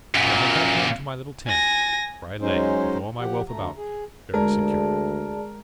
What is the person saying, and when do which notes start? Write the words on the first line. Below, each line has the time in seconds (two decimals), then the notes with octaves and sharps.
But I had got home to my little tent, where I lay, with all my wealth about me, very secure.
0.15 F#2 A#2
1.47 G#5 A#6
2.41 F#3 G#3 C#4 D#4 C5
3.20 F3 G4 F#5
3.48 D2 A3 A#5
3.77 G#4
4.34 D2 G#3 G#4 A#4 D5 A5